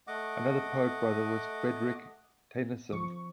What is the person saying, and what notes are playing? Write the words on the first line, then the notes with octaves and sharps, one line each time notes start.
Another poet brother was Frederick Tennyson.
A3 D#5 F#5 D6
F3 C#6